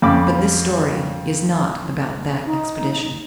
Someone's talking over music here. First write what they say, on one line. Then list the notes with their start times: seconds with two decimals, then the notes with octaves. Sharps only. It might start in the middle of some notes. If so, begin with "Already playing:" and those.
But this story is not about that expedition.
0.02 F2 C#4 B5 D6
2.45 D#4